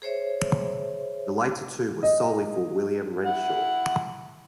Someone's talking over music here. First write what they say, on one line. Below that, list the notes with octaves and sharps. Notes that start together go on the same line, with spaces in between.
The later two were solely for William Renshaw.
G#4 C5 C#5 E5
D#5
E4 F#5